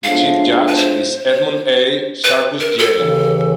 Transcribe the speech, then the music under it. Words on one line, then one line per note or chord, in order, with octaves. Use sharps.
The chief judge is Edmund A. Sargus J.
A2 F3 G#3 B3 D4 F5
B4
C5
B4
A#4
A4
D#2 C#3 E3